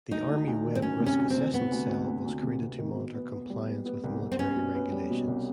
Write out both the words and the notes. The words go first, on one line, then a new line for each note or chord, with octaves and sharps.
The Army Web Risk Assessment Cell was created to monitor compliance with military regulations.
D2 D#4
D2
D2
D#3
C4
D2 C#4
C3
C#4
D2
C4
C3
C3 B3
D2
D2
D2
D2
C3
C3
D#3
B2
B3
B3
G3
B3
B3
C2
C2
C4
B3 C#4
B2
B3
G3
B2
C2